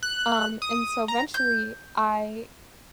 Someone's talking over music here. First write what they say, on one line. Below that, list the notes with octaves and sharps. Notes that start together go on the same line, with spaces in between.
Um, and so eventually, I
F#6
D#6
A#5
G6